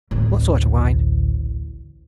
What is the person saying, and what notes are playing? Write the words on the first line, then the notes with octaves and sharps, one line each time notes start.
"What sort of wine?"
A1 D2